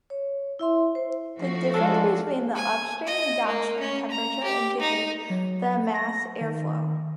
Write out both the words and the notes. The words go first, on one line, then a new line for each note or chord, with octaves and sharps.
The difference between the upstream and downstream temperature indicates the mass airflow.
C#5
E4 E5 C6
C5
F3 A3 F#4
G#3 C#4 D4 A4
G#5
D#5
A#3
C#4
A#5
G4
D#4
F#3
A#6
D#3